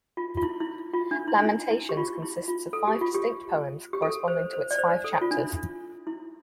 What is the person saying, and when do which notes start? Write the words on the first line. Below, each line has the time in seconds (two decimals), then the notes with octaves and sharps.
Lamentations consists of five distinct poems, corresponding to its five chapters.
0.17 F4
0.37 F4
0.43 E4
0.60 E4
0.94 F4
1.11 D4
1.28 E4
1.39 D4
1.45 E4
1.71 E4
1.89 G4
1.97 F4
2.22 E4
2.48 F4
2.73 A4
2.88 G4
3.01 F4
3.15 G4
3.93 G4
4.02 A4
4.28 C5
4.53 C5
4.71 D5
4.78 C5
5.04 A4
5.21 F4
5.31 D4
5.38 E4
6.07 E4